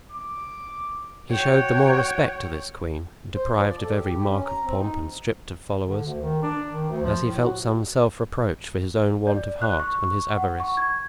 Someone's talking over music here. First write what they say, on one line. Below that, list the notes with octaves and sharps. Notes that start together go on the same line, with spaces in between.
He showed the more respect to this queen, deprived of every mark of pomp and stripped of followers, as he felt some self-reproach for his own want of heart and his avarice.
D6
F#4 C#5 G5
C5
F3
D5
A4
G4
G4
C#4
A#5
C4
D#4
D3
D2
D#3
D4
D#3
D2
F3
A2
F#4
D5
F#6
C#6
F#5
C#6
G#6